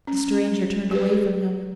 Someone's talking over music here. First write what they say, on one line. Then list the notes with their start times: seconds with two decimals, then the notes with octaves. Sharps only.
The stranger turned away from him.
0.07 C#4
0.91 G4 B4